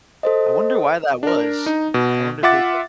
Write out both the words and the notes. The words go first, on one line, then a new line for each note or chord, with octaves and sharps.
I wonder why that was. Eh, I wonder if it's like
A4 C5 D#5
D4 A#4
D#4
B2
F4 E5 F#5 D6 A6